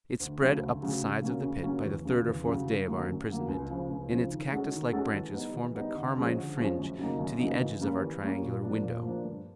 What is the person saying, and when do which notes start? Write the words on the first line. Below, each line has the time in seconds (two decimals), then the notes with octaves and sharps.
It spread up the sides of the pit by the third or fourth day of our imprisonment, and its cactus-like branches formed a carmine fringe to the edges of our triangular window.
0.20 D2
0.39 C#3 F#3 A3
0.60 D2
0.81 C#3 F#3 A3
1.01 C#3
1.22 F#3 A#3 C#4
1.42 C#3
1.63 F#3 A#3 C#4
1.84 E2
2.05 C#3 F#3
2.26 E2
2.45 C#3 F#3
2.66 F#2
2.87 D3 F#3 A#3
3.07 F#2
3.28 D3 F#3 A#3
3.48 C#2
3.70 C#3 F3
3.89 C#2
4.09 C#3 F3
4.30 D#3
4.51 G#3 C#4 F#4 A4
4.72 D#3
4.92 G#3 C#4 F#4 A4
5.13 E3
5.33 G3 B3 D#4
5.54 E3
5.74 G3 B3 D#4
5.95 D3
6.16 F3 G#3 C#4
6.36 D3
6.57 F3 G#3 C#4
6.78 F#2
6.98 C#3 F#3 A#3 D#4
7.19 F#2
7.39 C#3 F#3 A#3 D#4
7.60 E3
7.81 G3 A#3 C#4
8.01 E3
8.22 G3 A#3 C#4
8.42 A#2
8.63 F3 A#3 D4
8.83 A#2
9.03 F3 A#3 D4
9.24 G2